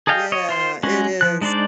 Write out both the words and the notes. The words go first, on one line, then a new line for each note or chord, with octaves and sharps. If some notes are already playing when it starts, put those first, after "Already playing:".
Yeah, it is.
G#4 A4 D#5 F5 G5
C#5 D#5
F4 C5 C6
G#3 C#4 F#4
F3 F#6
G#3 D4 D#4 C5 D5